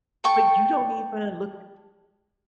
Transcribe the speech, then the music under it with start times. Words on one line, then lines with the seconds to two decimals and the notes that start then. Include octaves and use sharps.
But you don't even look at
0.24 A4 G5 C#6